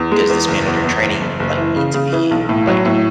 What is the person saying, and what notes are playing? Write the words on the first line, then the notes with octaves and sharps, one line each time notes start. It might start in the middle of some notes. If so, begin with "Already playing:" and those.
does this manager-in-training, like, need to be, like,
Already playing: E2
G#3
E2
F#1
E2
E2
F#1
F#1
F#1
E3
C#3
C#3
E3
B1
A2
F#3
A2